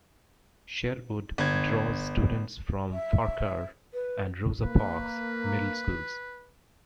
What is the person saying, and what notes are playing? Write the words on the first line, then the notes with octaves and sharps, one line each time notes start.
Sherwood draws students from Farquhar and Rosa Parks Middle Schools.
G1 G#6
E5
B4
A#3 B4